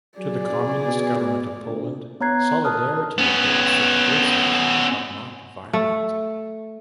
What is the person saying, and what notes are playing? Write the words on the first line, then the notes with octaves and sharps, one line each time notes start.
To the Communist government of Poland, Solidarity appeared subversive but not violent.
F#3 G#4 D5
F#1
B2
D2
B3 C#5 A#5 F#6 G#6 C7
A#4 A5 D#6 F6 F#6
B3 C#4
A3